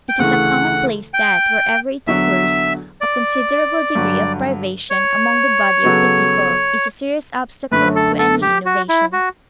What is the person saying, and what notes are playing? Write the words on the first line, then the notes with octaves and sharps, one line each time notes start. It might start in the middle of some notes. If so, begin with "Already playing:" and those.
It is a commonplace that, wherever it occurs, a considerable degree of privation among the body of the people is a serious obstacle to any innovation.
G5
D2 C#3 E3 A3 F#5
G5
E2 D3 F#3 E5
D5
G2 D3 F#3
C#5
C#3 F#3 B3 F#4 A4
F#2 D3 A3 B4
A4
A4
G4
F#4
E4
F#4